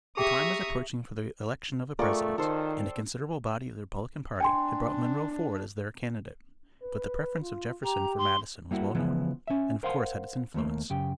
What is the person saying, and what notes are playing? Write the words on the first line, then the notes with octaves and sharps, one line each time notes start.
The time was approaching for the election of a president, and a considerable body of the Republican party had brought Monroe forward as their candidate, but the preference of Jefferson for Madison was well known and of course had its influence.
G4 G#4 E5 G5 A#5 C#6 D#6
A3 F4 G#4 A#4 D5 G5 C#6
D#3 A4 C5
D4 G5 G#5 C6
B4
F4
G4 A#5
C6
G3 A#3 E4 F#4
C#3 E3 F3 G#3 B3 E4
C#4 E5
A#4 C5 F5 F#5 A#5 C6
D#2 A3 A#3
F#2 C#3 G4